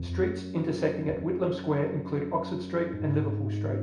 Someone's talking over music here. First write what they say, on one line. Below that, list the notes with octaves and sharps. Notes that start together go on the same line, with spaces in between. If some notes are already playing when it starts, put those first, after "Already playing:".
Streets intersecting at Whitlam Square include Oxford Street and Liverpool Street.
Already playing: F2
F#2
F#2
G#2